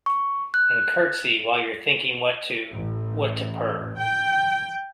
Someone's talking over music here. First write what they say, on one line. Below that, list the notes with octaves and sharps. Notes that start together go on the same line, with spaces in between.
And curtsey while you’re thinking what to—what to purr.
C#6
F#6
A1
G5